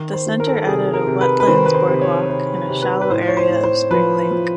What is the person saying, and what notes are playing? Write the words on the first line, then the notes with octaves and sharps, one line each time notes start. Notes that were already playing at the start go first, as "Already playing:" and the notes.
The center added a Wetlands Boardwalk in a shallow area of Spring Lake.
Already playing: D#3
C5
D#3
A#4
A4
A#4
C3 G#4
A#4
C3
B4
B4
D#3 C5
B4
C5
C3
C#5
C3 C5
C3
B4
B4
A2 C5
C#5
C5
A2
C5
F3 B4
F3